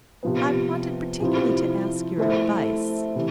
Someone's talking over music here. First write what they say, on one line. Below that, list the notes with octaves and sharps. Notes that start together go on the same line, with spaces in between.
"I wanted particularly to ask your advice."
C3 F3 B3
C3 F3 C4 E4
A3 E4 A4 C5 E5
C3 E3